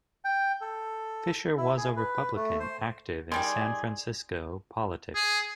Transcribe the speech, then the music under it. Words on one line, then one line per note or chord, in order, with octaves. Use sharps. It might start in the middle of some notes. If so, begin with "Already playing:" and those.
Fisher was a Republican, active in San Francisco politics.
G5
A4
E4
G#4
B4
A3
C5
D#3 G3 G#4 D5 C6
G#4